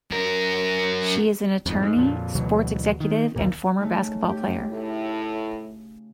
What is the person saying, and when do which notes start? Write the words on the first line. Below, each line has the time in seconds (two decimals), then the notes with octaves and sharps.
She is an attorney, sports executive, and former basketball player.
0.11 F#2 A#4
1.66 F2 G#2
1.83 G#2
1.96 F2 A#2
2.35 D2 B2 E3 F#3
3.00 D#3
3.36 A#1 D#2 A#2
3.78 C#3 A3 D#4
4.29 G4
4.70 A2